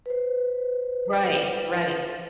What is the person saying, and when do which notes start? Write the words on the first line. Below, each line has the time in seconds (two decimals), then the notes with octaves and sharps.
Right, right.
0.06 B4 C5